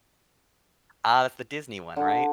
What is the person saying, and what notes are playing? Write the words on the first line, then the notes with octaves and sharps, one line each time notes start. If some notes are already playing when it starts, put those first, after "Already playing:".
Ah, that's the Disney one, right?
D3